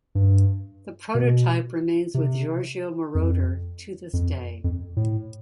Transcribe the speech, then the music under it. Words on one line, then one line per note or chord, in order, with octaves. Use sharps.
The prototype remains with Giorgio Moroder to this day.
G2
B2
C3
F2
F2
F2
A2